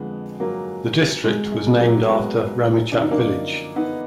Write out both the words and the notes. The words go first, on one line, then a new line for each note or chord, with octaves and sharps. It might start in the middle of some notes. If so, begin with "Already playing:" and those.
The district was named after Ramechhap village.
Already playing: F2 D3 F3 G#3 B3
F#3 A#3
G#3
G#3
F#3 A#3
G#3 B3
F#2 D3 F3 D4
D#4
A#3 D4
B3 D#4